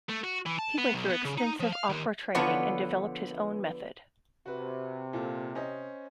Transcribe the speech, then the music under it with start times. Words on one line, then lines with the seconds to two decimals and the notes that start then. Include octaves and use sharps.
He went through extensive opera training and developed his own method.
0.09 A3
0.24 F#4
0.46 E3
0.59 A5
0.78 B3
0.93 B1
1.09 B3
1.25 C#3
1.38 D#4
1.60 F3
1.73 F5
1.89 D#2
2.35 D3 F3 B3 B4 C#5 F#5
4.46 C3 F#4 B4
5.13 A#2 F4 A4
5.55 C#4 C5 D#5